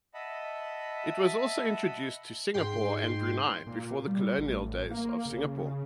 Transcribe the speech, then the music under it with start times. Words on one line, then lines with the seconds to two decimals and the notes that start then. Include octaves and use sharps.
It was also introduced to Singapore and Brunei before the colonial days of Singapore.
0.14 D#5 E5 F#5 A5 B5
2.54 G#2 G5 C6
3.67 A#2
4.07 G3
4.39 A1
4.91 A#3
5.26 C#3